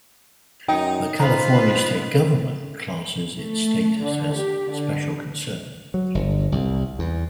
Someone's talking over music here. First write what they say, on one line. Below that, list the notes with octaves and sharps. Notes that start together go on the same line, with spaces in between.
The California State Government classes its status as "Special Concern".
F#2 D#4 G5
F4 B4 C5 A#5
A3
D3
G4
D3
F#3
G1
C2
E2